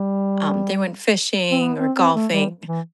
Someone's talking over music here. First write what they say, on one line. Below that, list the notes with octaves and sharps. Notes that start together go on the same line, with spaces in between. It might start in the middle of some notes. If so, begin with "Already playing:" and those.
um, they went fishing or golfing.
Already playing: G3
C4
B3
C4
C4
A3
G3
E3